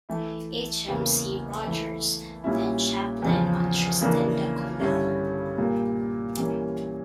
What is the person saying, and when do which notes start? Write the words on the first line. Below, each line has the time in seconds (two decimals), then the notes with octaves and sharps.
H. M. C. Rogers, then chaplain on Tristan da Cunha.
0.09 E3 A3 E4
0.88 E2 C#3 E3 A#3 E4
1.65 E3 A3 E4
2.44 A#2 G3 C#4 E4
3.22 E2 C#3 F3
4.01 C#3 E3 A#3 D4
4.80 G2 D3 G3 C#4 E4
5.57 A#2 G3 A#3
6.37 E3 G3 A#3 C#4